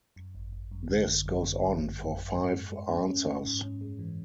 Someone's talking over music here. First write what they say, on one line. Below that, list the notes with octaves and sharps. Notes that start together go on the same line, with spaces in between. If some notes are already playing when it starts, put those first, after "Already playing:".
This goes on for five answers.
F#2
G#1
G#1
F#2
D3
G#1
F#2
D3
G#1
F#2
F#2
F#2
G#2
G#3
G#3
C#4
C#4
C#4
G#2
C#4
G#3
E3